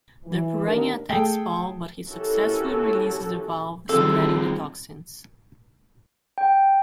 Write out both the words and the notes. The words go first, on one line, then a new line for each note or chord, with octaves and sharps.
The piranha attacks Paul but he successfully releases the valve, spreading the toxins.
E3
D#2 D4 A#4
A3 G#4 A4 G5
C#4 E4 F#4 G4 A4 A#4
D#3 G3 C4 F4 G#4 A4
G5